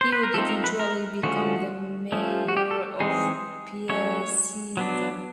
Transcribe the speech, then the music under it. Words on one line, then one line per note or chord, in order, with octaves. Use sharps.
He would eventually become the mayor of Piacenza.
C5
B4
A#4
F3 A3 C4 D#4 A4
A#4
B4
A#4
D3 F3 A3 C#4 F#4
F3 A3 C#4
F#4
G4
A4
E3 G#3 C4 D#4 G#4
F#3 A3 C#4 C#5
F#3 B3 D4